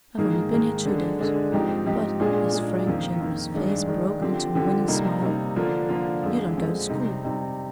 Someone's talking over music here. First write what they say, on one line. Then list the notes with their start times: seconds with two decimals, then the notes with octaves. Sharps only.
I've only been here two days. But"--his frank, generous face broke into a winning smile--"you don't go to school.
0.17 G#2 D#3 A#3 D#4 G#4
0.51 G#2 D#3 A#3 D#4 G#4
0.85 D3 G#3 D4
1.19 D3 G#3 D4
1.52 G#2 F3 C4 D#4 G4
1.86 G#2 F3 C4 D#4 G4
2.20 A#2 G#3 D4 G#4
2.53 A#2 G#3 D4 G#4
2.87 F2 D#3 A#3
3.20 F2 D#3 A#3
3.54 G2 D#3 G#3 D4
3.88 G2 D#3 G#3 D4
4.21 D3 F3 C4 G4
4.55 D3 F3 C4 G4
4.88 C3 G3 A#3 D#4
5.22 C3 G3 A#3 D#4
5.56 D3 F3 A#3 D4 F4
5.89 D3 F3 A#3 D4 F4
6.23 F2 D3 G#3
6.57 F2 D3 G#3
6.90 C3 G3 C4 D#4
7.24 C3 G3 C4 D#4